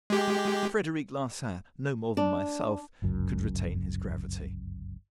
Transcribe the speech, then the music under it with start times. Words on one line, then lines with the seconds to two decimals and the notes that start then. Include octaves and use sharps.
Frederic Larsan, no more than myself, could retain his gravity.
0.10 G#3 G4
2.17 D4
3.02 G1 C#2 F#2